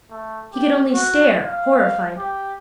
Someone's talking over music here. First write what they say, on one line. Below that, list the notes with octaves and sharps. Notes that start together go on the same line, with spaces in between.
He could only stare, horrified.
A3
G4
F#4
F5
G4